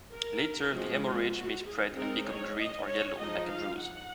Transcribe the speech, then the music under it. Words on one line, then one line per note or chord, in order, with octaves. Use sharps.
Later, the hemorrhage may spread and become green or yellow, like a bruise.
A#4
F3 G#3 C4 F#4
F4
F#4
G#4
G#3 C4 D#4 A#4
C#5
D#5
C#5
F3 G#3 D#4 D#5
F5
F#5